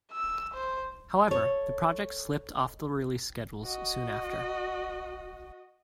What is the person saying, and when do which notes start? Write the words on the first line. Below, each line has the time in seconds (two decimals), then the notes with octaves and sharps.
However, the project slipped off the release schedules soon after.
0.12 E6
0.53 C5
1.28 A4 C#5
3.64 F#4 D#5